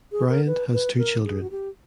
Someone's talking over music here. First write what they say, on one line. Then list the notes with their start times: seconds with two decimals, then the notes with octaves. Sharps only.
Bryant has two children.
0.12 G#4
0.29 A#4
0.46 B4
0.73 B4
0.98 A#4
1.25 G#4
1.42 F#4
1.51 G4